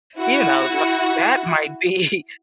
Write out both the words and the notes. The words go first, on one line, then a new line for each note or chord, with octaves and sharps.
you know, li that might be
E4 F#4